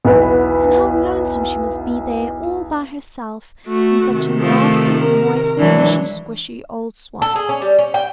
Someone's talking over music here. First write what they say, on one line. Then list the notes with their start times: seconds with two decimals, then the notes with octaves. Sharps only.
And how lonesome she must be there all by herself in such a nasty, moist, mushy-squshy old swamp!
0.05 B1 E2 B3 B4
3.67 A3 F#4
4.07 C3 D#3
4.40 F3 A3
4.97 A#4
5.58 E3 F#3 G#3 D4
7.22 A4
7.36 G#4
7.49 C#4
7.62 G3
7.79 C#4
7.94 G5